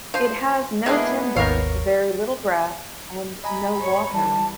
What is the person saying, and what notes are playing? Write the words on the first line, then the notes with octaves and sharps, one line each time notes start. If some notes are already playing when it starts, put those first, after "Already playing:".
It has no timber, very little grass, and no water.
F3 C5
G#3 A#3 B3 D4 E4 G#4
G#1 D#2 A#4 C#5 F5
D#5 G#5 A#5 B5
C#5
E3 G3 A5